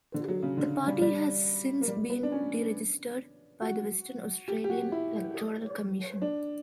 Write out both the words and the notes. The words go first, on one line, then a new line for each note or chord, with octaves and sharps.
The party has since been de-registered by the Western Australian Electoral Commission.
D3
F#3
C#3
D3
G3
G3
A#3
G3
B3
D4
C#4
F#4
G4
G4
F#4
E4
D4